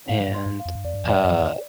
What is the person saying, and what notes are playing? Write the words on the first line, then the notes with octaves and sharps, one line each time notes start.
and, uh
G#2 F5
G#2
C6
G2
F5
F2
G2
F2 D5
G2
F2 D5
G2
F2
G2 D5
F2